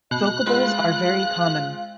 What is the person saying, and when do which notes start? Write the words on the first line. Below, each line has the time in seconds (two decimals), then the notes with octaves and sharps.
Vocables are very common.
0.11 B2 D#5 F#6
0.46 G#3 C4 F4 B4 F5